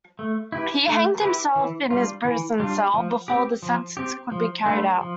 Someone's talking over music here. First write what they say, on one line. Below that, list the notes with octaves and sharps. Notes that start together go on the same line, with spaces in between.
He hanged himself in his prison cell before the sentence could be carried out.
A3
E4 G4 B4
A3
E4 G4 B4
E3
G3 D4 F4
E3
G3 D4 F4
F3
C4 G4
F3
C4 G4
F3
A3 D4 F4 B4
F3